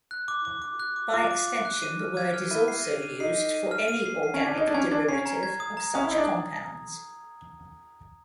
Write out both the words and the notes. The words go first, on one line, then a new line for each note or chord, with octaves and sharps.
By extension, the word is also used for any organic derivative of such compounds.
F#6
D6
D6
D6
F#6
D6
F4 D6
D6
D6
F#6
D#7
F6
G#6
F6
E4 D#7
C7
D#7
D#7
D#4 C7
C7
D#7
F6
D#7
C7
C7
C#4
D4 G#6
D#4 G#6
D4
C#4 G#6
D4 G#6
C#4 C7
A#5
G#6
D#6
A#5
C#4 D#6
E4
D#4 D#6
D4